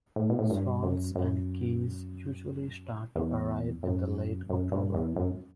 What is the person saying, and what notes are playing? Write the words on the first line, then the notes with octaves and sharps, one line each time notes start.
Swans and geese usually start to arrive in late October.
A2
B2
A2
G2
F#2
F#2
E2
F#2
F#2
G2
E2
F#2